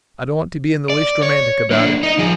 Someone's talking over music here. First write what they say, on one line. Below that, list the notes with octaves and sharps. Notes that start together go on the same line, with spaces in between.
I don't want to be in the least romantic about it.
D5
C#5
A#3 D4
D#4 D#5
F3 G#4